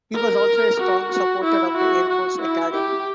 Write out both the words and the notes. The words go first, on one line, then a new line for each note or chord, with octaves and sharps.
He was also a strong supporter of the Air Force Academy.
A#4
F#4
F#4
E4
F#4
F#4
E4
G4